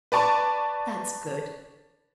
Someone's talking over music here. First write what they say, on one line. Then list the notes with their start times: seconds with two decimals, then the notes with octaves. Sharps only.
That's good.
0.12 B4 D5 A5 C#6